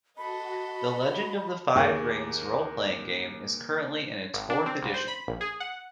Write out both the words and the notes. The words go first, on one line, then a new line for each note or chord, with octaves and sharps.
The Legend of the Five Rings Role-Playing Game is currently in its fourth edition.
F#4 A4 D#5 B5
D#2 G#4 C#6
G#1
D4
C4
C2
C5
B5
A#1
G#4
F#5